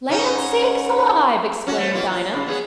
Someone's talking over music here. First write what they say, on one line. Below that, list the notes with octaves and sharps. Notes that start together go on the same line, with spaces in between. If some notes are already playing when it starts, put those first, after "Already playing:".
"Land sakes alive!" exclaimed Dinah.
G#2 C#4 D#4
C#4 F#4
A3 C4
B2 A#3 F4
F4
C#3
B3 C#4 G#4